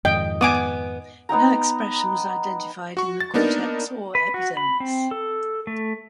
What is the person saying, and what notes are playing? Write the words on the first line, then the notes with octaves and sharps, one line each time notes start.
No expression was identified in the cortex or epidermis.
F2 G#2 D#3 D#5 G5
B3 G#5 D6 D#6
B3 D#4 G5 A#5
F#4 C#6
A6
A#3 B3 D4 D#4 A#4
B4
F#4
B5
C4
A4
A3